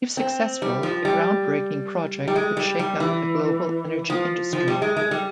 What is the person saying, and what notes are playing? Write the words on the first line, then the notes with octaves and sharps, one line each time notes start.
If successful, the groundbreaking project could shake up the global energy industry.
C4
G3
F3
G3
G3
G#3
G3
G3
E3
F3
F3
G3
G#3
G#3
G3